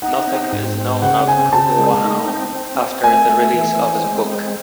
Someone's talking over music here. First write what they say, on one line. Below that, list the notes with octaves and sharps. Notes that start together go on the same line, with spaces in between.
Nothing is known of Cugoano after the release of his book.
D#4 F#5
C4
G#2
C4
C#3 F#5
C4 G#5
C#3 A5
G#3
D#4
C4
C4
C4
A3 G#5
A3
E3
C4
G#3
C4